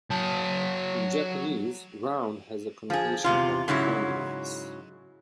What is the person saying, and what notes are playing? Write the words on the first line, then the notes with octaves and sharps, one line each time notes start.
In Japanese, round has a connotation of friendliness.
F#3 A5
F3 G#4
E2 C3 F4
G#2 C#3 F#3 E4